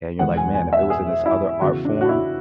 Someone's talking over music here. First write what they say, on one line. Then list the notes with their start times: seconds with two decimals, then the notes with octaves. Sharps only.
and you're like, "Man, if it was in this other art form,"
0.19 E1 E2 B2 G#3 B3 F#5
0.37 G#5
0.55 G#5
0.73 E5
0.90 G#4
1.26 E4
1.61 E2 C#3 E3 F#4
1.85 D4
2.01 F#4
2.09 E4